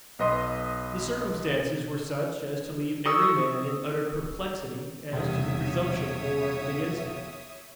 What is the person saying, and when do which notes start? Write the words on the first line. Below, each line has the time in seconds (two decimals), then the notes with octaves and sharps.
The circumstances were such as to leave every man in utter perplexity as to the presumption for and against him.
0.19 B1 B4 D#5 C6 D#7
3.05 C#6 D#6 E6
5.13 E1 E2 C3 G3 C#5 E5 D#6